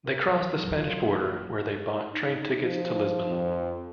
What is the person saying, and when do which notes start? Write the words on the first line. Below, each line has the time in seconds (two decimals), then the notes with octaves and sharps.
They crossed the Spanish border, where they bought train tickets to Lisbon.
0.06 A#4
0.28 F#3
0.42 E3
0.65 F#3
0.78 F4
1.05 A#3
1.23 F#4
2.12 D#4
2.63 F3
3.28 F2